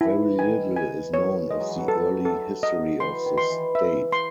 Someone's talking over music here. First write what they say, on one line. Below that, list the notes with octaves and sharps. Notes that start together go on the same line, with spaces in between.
Very little is known of the early history of the state.
E3 E4
D#3 G#5
E3 G#5
C#5
G#3 D#5
F#3
E3
F#3
A4
A4
D#5
E3 C6
D#3
C6
E3
E5
C6